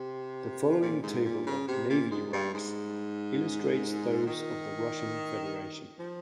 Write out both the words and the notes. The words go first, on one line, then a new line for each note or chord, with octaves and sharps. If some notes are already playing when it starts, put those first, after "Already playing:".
The following table of navy ranks illustrates those of the Russian Federation.
Already playing: C3
A#2
G#2
A#2
C#3
C3
A#2
G#2
G2
G#2
D#3
F3